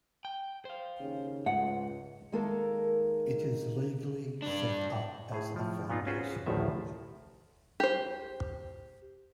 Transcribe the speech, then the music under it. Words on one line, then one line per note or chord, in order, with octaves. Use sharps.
It is legally set up as a foundation.
G5
C5 F5
D#2 C#3
C#2 G#2 F#5
D#3 G#3 A#3 A4 A#4
G2 D4
A2 G#4
A2 F3
A#2 B3 D#4 F4
C#4 F4 F#4 G#4 B4 C5
A1 D2 A2 D#3 F3 E5
G4 C5